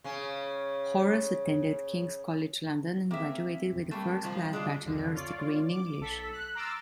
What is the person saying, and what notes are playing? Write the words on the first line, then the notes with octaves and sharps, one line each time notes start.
Horace attended King's College London and graduated with a first-class bachelor's degree in English.
C#3 C#4
A#3 C4 G#4 E5
G3 A3 A#3 B5 C6
D#3 F3 F4
D3 G#3 D4 F4
C2 F2 D3
F4 C#5 D5
D6
B1 A4 B6
F#6
A#5 C6 D6 E6 F6 A6